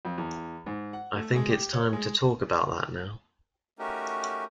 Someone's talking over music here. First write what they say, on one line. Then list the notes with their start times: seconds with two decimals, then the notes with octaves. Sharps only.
I think it's time to talk about that now.
0.05 F2
0.18 E2
0.66 G#2
0.93 F#5
1.16 A3
1.36 G#3
1.49 G4
1.73 C#5
1.93 G#3
3.79 A3 C#4 D#4 F#4 G4 A#4